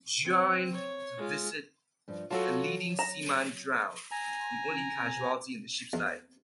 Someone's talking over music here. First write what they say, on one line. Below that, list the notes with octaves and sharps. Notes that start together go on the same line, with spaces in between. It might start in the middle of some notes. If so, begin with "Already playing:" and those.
During the visit, a leading seaman drowned; the only casualty in the ship's life.
C4
C#5
G#3 F4
G2 F3
F#3 F4 F#4 A4 C#5 A5
A#5 E7
G#5 A#5
E2